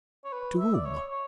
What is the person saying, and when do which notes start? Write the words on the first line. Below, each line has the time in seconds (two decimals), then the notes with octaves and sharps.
"To whom?"
0.25 C#5
0.32 B4
0.58 E5
0.74 D5
0.85 C#5
1.11 C#5